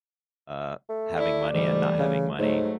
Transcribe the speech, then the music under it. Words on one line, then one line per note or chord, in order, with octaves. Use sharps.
uh, having money and not having money.
A3
E4 D5
G#2 E3 G3 A3
C#3
G#2 F#3 A3 D#4 C#5